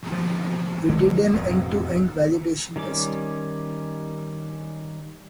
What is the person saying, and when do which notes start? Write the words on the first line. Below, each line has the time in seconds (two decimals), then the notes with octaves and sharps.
We did an end-to-end validation test.
0.12 F3
0.89 D3 G#3 A#3
1.33 E1 F2 A2
2.76 D#3 G3 C#4 D6